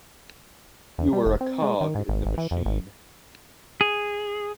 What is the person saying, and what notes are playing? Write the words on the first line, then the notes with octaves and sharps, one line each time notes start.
You are a cog in the machine.
E2
G3
F1
C4
G#3
D#3
G#2
G#1
G#1
E3
F2
G#1
G#4